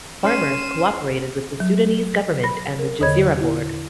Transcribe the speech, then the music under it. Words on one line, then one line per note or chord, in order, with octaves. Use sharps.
Farmers cooperated with the Sudanese government and the Gezira Board.
C#4 C6 F6 C7 D#7 E7
F#3
B5 A#6
A#4
E2 D3 C#5 D#5 B5 G#6
E4